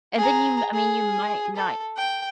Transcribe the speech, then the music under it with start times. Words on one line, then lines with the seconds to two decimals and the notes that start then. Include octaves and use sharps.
and then you m I mean, you might not
0.18 G#4 A#5
0.73 G#4
1.56 A4
1.96 G5